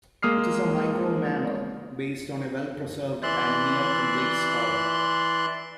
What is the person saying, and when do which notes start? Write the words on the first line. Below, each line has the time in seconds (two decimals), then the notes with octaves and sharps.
It is a micro-mammal, based on a well-preserved and near complete skull.
0.23 G#3 A#3 D#6 F6 C7
3.23 E3 D5 E5 C6 F#6